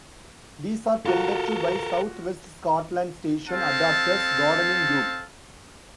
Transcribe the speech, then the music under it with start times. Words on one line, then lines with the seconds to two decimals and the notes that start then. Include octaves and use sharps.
These are tended to by South West Scotland Station Adopters Gardening Group.
1.06 F4 F#4 A4 A#4
3.49 C4 A4 F5 A5